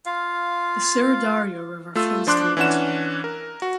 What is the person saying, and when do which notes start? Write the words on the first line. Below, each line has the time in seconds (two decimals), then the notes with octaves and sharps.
The Syr Darya river flows through it.
0.06 F4 F5
1.95 A3 F4 E6
2.27 F3 D4 C6 D6 F#6
2.57 E3 C#4 D4 F#5 E7
3.24 A#4
3.62 F#4